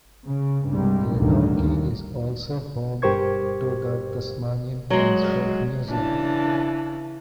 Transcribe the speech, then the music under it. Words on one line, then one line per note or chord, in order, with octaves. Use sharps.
Glenorchy is also home to the Tasmanian Transport Museum.
C#3
C2 G2 G3 G#3
A1 D2 G2 D3 D#3
D#2
G2 G4 A#4 C5 C#6 G#6
F#3 G#3
C#3 E3 D4 A5